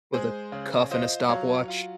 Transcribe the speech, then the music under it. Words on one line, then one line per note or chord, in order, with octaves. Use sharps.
With a cuff and a stopwatch.
G#3 G#4 C5
C#3
F4 C5 D#5
F#3 C#5 F5
F4